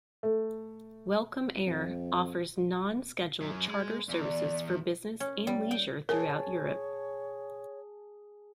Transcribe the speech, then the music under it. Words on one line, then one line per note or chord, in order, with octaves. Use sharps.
Welcome Air offers non-scheduled charter services for business and leisure throughout Europe.
A3
F2
F#2
G#3
E2 D5
C#4
G3
G5
G#4 A#4 C#5 A5